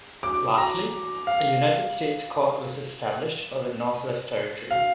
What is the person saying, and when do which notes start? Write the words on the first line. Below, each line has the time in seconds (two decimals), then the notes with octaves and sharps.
Lastly, a United States court was established for the Northwest Territory.
0.23 D6
0.58 A#5
1.27 F5
4.71 F5